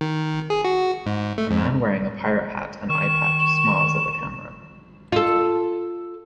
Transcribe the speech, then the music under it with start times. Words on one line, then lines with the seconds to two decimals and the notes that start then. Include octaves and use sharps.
A man wearing a pirate hat and eyepatch smiles at the camera.
0.01 D#3
0.50 G#4
0.65 F#4
1.06 G#2
1.38 A3
1.51 F2
2.89 D#3 C#6 E7
5.12 F4 A4